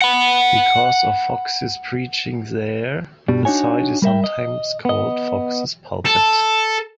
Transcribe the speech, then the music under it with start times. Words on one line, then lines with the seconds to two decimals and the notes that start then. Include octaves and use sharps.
Because of Fox's preaching there, the site is sometimes called Fox's Pulpit.
0.01 F#5 B5
3.28 G2 B2 G3
3.45 D4 D#4 F#4 C#5 G#5
4.02 G3 A#4 E5 G5
4.24 D#5
4.85 B3 D#5
6.06 A4